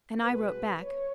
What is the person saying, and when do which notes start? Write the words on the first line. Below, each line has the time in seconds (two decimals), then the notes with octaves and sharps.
And I wrote back.
0.23 B2 G#3 B3 B4
0.83 C#5